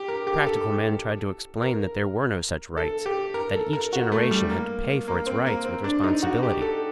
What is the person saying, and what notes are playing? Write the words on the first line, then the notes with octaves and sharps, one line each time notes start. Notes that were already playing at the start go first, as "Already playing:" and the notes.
Practical men tried to explain that there were no such rights--that each generation had to pay for its rights with responsibility.
Already playing: G4
A#4
G4
A4
A#4
A4
G4
A#4
A4
A#4
F#4
A3
G3
A#3
A#3
C4
A#3
C4
D4
D#4
F#4
G4
A4